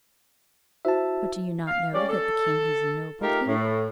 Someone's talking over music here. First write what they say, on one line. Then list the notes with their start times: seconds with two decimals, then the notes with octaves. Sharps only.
But do you not know that the king has ennobled him?
0.85 E4 F#4 C5 E5 A5
1.67 F5
1.94 G3 C#4 D5
2.09 A4
3.21 A3 D#4 F4 G4 A#4
3.47 A2